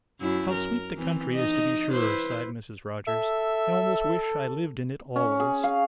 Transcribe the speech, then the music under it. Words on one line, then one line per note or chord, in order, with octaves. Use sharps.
'How sweet the country is, to be sure!' sighed Mrs. Rogers; 'I almost wish I lived in it always.'
F#2 E4
A#4
E3 C4
D#4 D#5
E4 B4 C5
A4 E5
C#4
G#4
F5